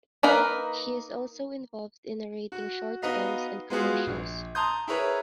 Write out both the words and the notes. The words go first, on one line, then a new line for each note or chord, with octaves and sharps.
He is also involved in narrating short films and commercials.
A#3 D#4 A#4 B4
F#4
B3 D#4 F#4 B4 D#5 F5
G#3 B3 F4 F#4 G#4
A#1
A5 A#5 C6 D#6 G6
E4 G#4 A#4 B4 C#5